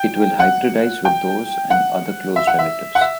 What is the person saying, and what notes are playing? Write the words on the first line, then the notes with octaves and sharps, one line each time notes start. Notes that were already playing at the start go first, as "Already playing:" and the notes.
It will hybridize with those and other close relatives.
Already playing: G5
F#5
G5
F#5
E5
F#5
E5
F#5
E5